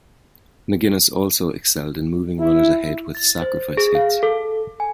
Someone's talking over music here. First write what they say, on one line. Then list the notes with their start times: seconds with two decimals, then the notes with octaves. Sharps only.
McInnis also excelled in moving runners ahead with sacrifice hits.
2.39 E4
3.15 A6
3.42 C5
3.77 G#4
3.95 F5
4.23 A4
4.80 G#5